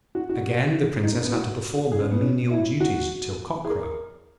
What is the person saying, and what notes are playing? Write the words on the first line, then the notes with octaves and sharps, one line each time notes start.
Again the Princess had to perform her menial duties till cock-crow.
F#4
F#4
D#4
A#3
B3
F#4
G#4
C#4
B3
C#4
E4
F#4
G#4
A#4